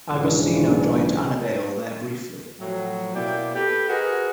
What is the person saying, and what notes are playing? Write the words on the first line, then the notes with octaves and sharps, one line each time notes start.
Agostino joined Annibale there briefly.
B1 G#2 C#3 E3 D4 F4
A2 F3 F#3
B2 A#3 E4 D5 G5
G4 A4 B4
F#4 G#4 A#4 B4 D#5